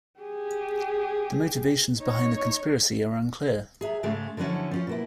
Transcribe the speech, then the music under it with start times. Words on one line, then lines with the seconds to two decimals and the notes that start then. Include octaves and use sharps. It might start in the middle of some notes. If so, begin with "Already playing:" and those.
The motivations behind the conspiracy are unclear.
0.20 G4 G#4
2.00 D#4 C#5
3.81 G#4 E5 A#5
4.03 G#2 C#3 G#3 A3
4.37 D3 F3 F#3 C#4 E4
4.71 F3 C#4 F4
4.87 B2 A#3 E4